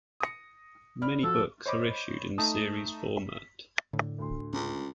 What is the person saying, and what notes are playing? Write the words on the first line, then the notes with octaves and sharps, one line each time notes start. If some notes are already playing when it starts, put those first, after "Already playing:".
Many books are issued in series format.
D#6 A#6 C#7
D5 B5 F6
F3 F#4 A4
C5 C#5 D#5 B5 D6
A3 D#4 A5 D#6
A2 D3
D2 C6
C#2 C#4